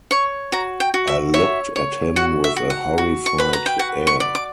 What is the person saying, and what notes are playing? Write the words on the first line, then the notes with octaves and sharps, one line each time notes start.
I looked at him with a horrified air.
C#5 C#6
F#4 A#5
G5
F#4
E5
C#5 E5
C#5
F#4 F#5
E5
F#4
F#5
F#4
C#6
B4 B5
A#5
G5
F#4 F#5
C#6
D5
D6